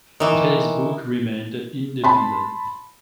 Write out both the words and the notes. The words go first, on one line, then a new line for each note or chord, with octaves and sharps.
Facebook remained independent.
D#3 E3
A5 B5 C6